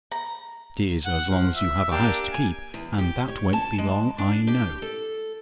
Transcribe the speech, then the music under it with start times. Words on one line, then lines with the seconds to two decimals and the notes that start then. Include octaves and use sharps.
That is, as long as you have a house to keep--and that won't be long, I know.
0.12 A#5
1.05 F#5
1.29 F3
1.55 E5
1.91 A#3 D4 G4
2.32 G#5
2.74 E2
2.98 G4
3.28 C#5
3.53 A5
3.78 G#3
4.18 D4
4.47 G4
4.82 A4